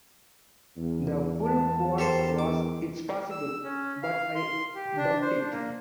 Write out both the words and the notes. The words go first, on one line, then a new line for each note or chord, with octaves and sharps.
The full quote was It's possible, but I doubt it.
E2
A5
G4 A4 A#4 C5
D6
E6
C#4
F5
C6
G4
D4
C5
D4
A#3